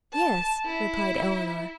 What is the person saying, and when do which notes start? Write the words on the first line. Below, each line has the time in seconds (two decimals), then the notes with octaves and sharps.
"Yes," replied Eleanor.
0.13 A5
0.66 E4